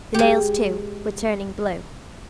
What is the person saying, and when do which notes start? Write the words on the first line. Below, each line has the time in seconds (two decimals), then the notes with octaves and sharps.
The nails, too, were turning blue.
0.14 G#3 G4